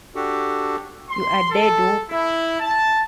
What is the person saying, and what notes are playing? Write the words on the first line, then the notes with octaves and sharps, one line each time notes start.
You a dead wop.
D4 F#4 G4 A4
C6
A4
E4
A5